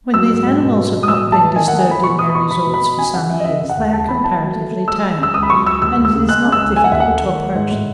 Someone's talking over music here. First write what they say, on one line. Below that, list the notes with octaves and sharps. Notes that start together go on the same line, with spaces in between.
When these animals have not been disturbed in their resorts for some years they are comparatively tame, and it is not difficult to approach them.
F#3 E6
G#2
G#2
B2
B3
B2
D#6
A2 E6
E3
A5
E3
D#3 G#5
A3 F#5
G#5
A3 B5
B2 C#6
B2 D#6
B5
B2 C#6
B2 B5
B2
B5
B2
C#4 G#5
C#3 F#5
C#3 E5
D#5
C#3 E5
C#3
F#5
D#2
G#3 A5
E3 B5
E3 A5
F#3
A3
A3
G#3 E6
G#3
C#4 E6
C#2 D#6
B5
F#3 C#6
C#2 E6
D#2 E6
D#2
E6
C#3
G#3 F#6
C#4
E6
C#2
A3 G#5
F#5
D#2 E5
F#5
A3
D#3
G#3
G#2
A2